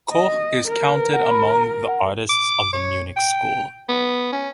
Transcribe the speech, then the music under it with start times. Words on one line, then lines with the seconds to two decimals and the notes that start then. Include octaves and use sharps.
Koch is counted among the artists of the "Munich School".
0.12 D#5
0.68 A#4
2.29 D6
2.73 C#5
3.16 G5
3.89 B3
4.32 C#4